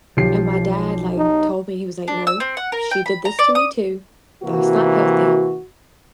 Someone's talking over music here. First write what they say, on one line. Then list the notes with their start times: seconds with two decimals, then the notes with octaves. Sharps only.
And my dad, like, told me, he was like, "No, she did this to me too. That's not healthy."
0.17 B1 F3 G4 C7
1.18 D#4
2.08 D4
2.27 E6
2.40 C4
2.57 F#5
2.72 A#4
2.91 G5
3.06 B5
3.25 A#5
3.39 D5
3.55 D#6
4.43 C3 E3 A#3 F#4